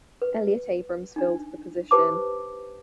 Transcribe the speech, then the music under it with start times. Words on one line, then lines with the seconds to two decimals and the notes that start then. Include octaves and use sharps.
Elliot Abrams filled the position.
0.22 B4
1.16 D4 D#4
1.91 G4 B4 C5 A5 D6